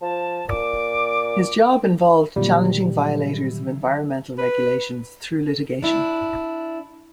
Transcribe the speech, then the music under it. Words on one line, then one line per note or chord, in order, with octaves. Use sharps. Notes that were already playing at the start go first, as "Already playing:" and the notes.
His job involved challenging violators of environmental regulations through litigation.
F3 A5
A#2 D6
A#2 D3 D#3 F#3 G3
B4
D4 E4